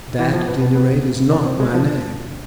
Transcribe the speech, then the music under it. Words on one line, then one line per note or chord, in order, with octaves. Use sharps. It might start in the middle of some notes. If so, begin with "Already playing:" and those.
"That at any rate is not my name."
E3
F3
B3
B3
B3
D4
C4
G#3
F3